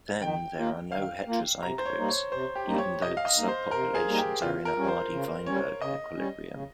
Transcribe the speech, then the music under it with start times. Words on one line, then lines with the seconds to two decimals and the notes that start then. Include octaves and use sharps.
Then, there are no heterozygotes, even though the subpopulations are in a Hardy-Weinberg equilibrium.
0.22 D#3 G5
0.58 A#3 F4
0.92 D#3 F5
1.27 A#3 F4
1.62 C3 A#5
1.78 C5
1.86 C#5
1.97 G3 A#3 D#4
2.08 C#5
2.32 C3 C5
2.55 G4
2.66 G3 A#3 D#4
2.78 C#5
3.01 C3 D#5
3.17 F5
3.25 D#5
3.37 G3 A#3 D#4
3.48 C5
3.71 C3 A#4
3.95 G#4
4.07 G3 A#3 D#4
4.18 G4
4.42 C#3 F4
4.65 A#4
4.77 G3 C#4
4.88 C5
5.12 C#3
5.46 G3 C#4 C#5
5.81 C#3 D#5
6.16 G3 C#4
6.51 C#3